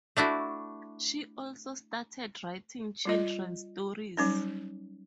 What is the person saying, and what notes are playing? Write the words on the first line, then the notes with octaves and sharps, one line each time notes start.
She also started writing children's stories.
A3 D4 E4 F#4
G3 F4 D#5
F#3 G3 C#4 D#4